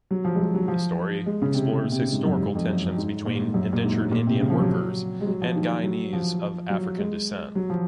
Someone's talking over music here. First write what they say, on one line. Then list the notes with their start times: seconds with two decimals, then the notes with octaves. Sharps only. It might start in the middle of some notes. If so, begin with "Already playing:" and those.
The story explores historical tensions between indentured Indian workers and Guyanese of African descent.
0.11 F#3
0.25 F3
0.35 G#3
0.40 F#3
0.54 F#3
0.68 F3
1.26 G#3
1.42 C#3
1.55 C3
1.69 C3
1.83 A#2
1.92 C3
2.02 C#3
2.12 G#2
2.26 F#2
2.41 G#2
2.55 F2
2.69 F#2
2.97 G#2
3.26 A#2
3.41 G#2
3.54 F#2
3.73 A#2
3.83 G#2
4.03 G#2
4.11 A#2
4.27 C3
4.40 C#3
4.50 F3
4.60 F#3
5.21 G#3
5.27 F#3
5.42 F3
5.56 D#3
5.83 F#3
6.13 F3
6.70 F#3
6.98 G#3
7.55 F#3
7.70 F3